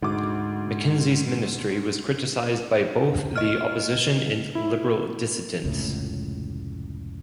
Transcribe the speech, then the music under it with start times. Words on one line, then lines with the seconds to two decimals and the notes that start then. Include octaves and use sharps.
Mackenzie's Ministry was criticised by both the opposition and Liberal dissidents.
0.03 D2 G#2 D6
3.36 D#5 F6
4.55 E4
5.64 F1 C#2 A2